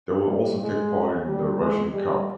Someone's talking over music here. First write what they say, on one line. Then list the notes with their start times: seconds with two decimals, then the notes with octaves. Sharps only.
They will also take part in the Russian Cup.
0.27 G3
0.60 G#3
1.27 G3
1.59 G#3
1.92 G3